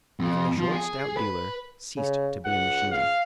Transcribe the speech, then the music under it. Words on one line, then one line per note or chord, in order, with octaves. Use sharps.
Even the short, stout dealer ceased to be a machine.
F2
F3
G#4
B4
C#3
C#2 F#5
F5